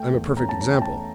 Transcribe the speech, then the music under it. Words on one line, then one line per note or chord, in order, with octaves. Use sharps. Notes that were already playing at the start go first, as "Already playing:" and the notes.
I'm a perfect example.
Already playing: A3 G5
E2
C#4 A#5
A5
C#4 A#5
G5
A3 A5